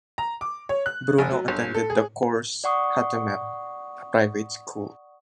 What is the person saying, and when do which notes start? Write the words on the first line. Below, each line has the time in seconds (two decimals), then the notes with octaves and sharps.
Bruno attended the Cours Hattemer, a private school.
0.18 A#5
0.41 D6
0.69 C#5
0.86 F#6
1.18 F1
1.32 F#3
1.48 G1
1.74 A4
1.90 G#4
2.64 D5 F#5 C#6 D#6